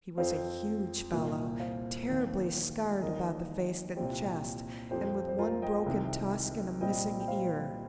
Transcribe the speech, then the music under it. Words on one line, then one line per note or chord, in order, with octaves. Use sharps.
He was a huge fellow, terribly scarred about the face and chest, and with one broken tusk and a missing ear.
F2 F3 C4 C5 F5
C2 A#2 A#3
C5 F5
D#2 D#3 A#3
D#2 D#3 G3 A#4 D#5
C2 A#2 G3 C4 G4 C5
F2 F3 C4 G4 C5
C5
F4 A#4
D#5 G5
C2 C3 D#3
A#2 G3 C4 D#5 G5
G5
C5 F5